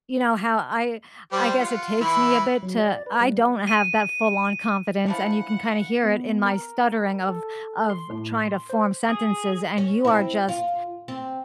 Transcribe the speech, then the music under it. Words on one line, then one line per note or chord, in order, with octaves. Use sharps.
you know, how I I guess it takes me a bit to I don't have that full on confidence and you can kinda hear it in my stuttering of of trying to form sentences and you are just
G3 G4 C5
F4 F#5
E3 E4 B5
F#3
D5
B4
G3
D#7
D3 E3 F3 F#5
B3
A#4
A4
C6
A2
C6
C5
G#4
C#4
C4 E4
F4
C4